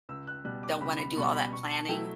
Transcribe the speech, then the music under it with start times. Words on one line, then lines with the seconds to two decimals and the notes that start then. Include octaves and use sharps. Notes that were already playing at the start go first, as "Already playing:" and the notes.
don't want to do all that planning
0.09 C#2 E6
0.27 F#6
0.45 B2 G3 F#6
0.63 D6
0.80 C#2 B5
0.99 B5
1.16 B2 G3 C#6
1.34 B5
1.53 B2 C#6
1.71 A5
1.88 F#3 A3 E4 G5